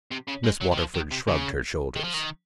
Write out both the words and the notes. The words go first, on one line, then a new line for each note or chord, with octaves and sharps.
Miss Waterford shrugged her shoulders.
C3
C#3
G#3
F#3
D#3
F3
D#3
C3
C#3
D#3
F3
D#3